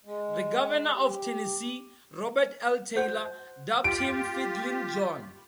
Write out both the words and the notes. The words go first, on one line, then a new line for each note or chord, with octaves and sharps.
The governor of Tennessee, Robert L. Taylor, dubbed him "Fiddlin' John".
G#3
G4
C5 F#5 G6
F4 G4 D7